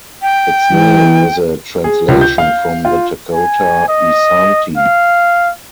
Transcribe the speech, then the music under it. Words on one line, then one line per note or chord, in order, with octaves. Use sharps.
Its name is a translation from the Dakota "Isaanti".
G5
E3
G#4
C#2
G6
F5
F4
G#5
D#5
F5